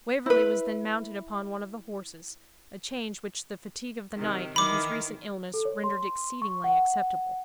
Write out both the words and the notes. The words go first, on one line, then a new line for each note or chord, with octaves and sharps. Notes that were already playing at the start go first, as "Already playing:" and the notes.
Waverley was then mounted upon one of the horses, a change which the fatigue of the night and his recent illness rendered exceedingly acceptable.
E4 B4
C3 D#3
D#3 E3 B5 D6
A4
C#5
C6
C#6
F#5